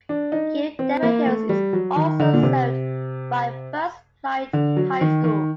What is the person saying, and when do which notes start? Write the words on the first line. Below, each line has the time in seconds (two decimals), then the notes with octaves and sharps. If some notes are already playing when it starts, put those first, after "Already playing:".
Kill Devil Hills is also served by First Flight High School.
0.09 D4
0.32 D#4
0.79 C4
1.03 A#3
1.26 A3
1.49 G3
1.73 F#3
1.96 D#3
2.20 D3
2.34 A#2
2.43 C3
4.53 D3
4.77 F#3
5.01 D#3
5.24 D#3